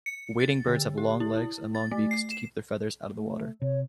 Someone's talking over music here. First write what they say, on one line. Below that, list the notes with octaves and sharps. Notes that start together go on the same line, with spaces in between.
Wading birds have long legs and long beaks to keep their feathers out of the water.
C#7
A6
D3
G4
E4
A6
A3
C7
E7
A3
C3 C#5